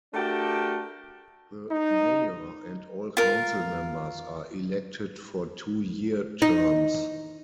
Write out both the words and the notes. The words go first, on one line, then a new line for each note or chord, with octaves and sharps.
The mayor and all council members are elected for two-year terms.
A3 D4 F#4 G4 A4 A#4
D#4
F4 A#4
D#4